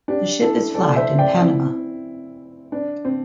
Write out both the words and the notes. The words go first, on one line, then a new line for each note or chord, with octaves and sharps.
The ship is flagged in Panama.
D4 G4
E4 A4
A4 D5
C5 E5
D5 G5
C4 E4
D4
C4